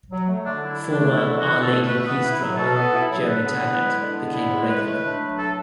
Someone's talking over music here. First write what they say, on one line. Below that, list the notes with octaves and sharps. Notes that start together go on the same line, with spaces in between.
Former Our Lady Peace drummer Jeremy Taggart became a regular.
F#3
A3
D3 D4
E4
D3
D4
A3
D3 E4
E4
F#4
D3
A4
A3
B2 B4
B3
E4
F#3
B2 A4
B3
E4
F#3
D3 B4
B3
E4
G#3
D3
B3
E4
G#3
A2 B4
A3
D4
F#3
A2 A4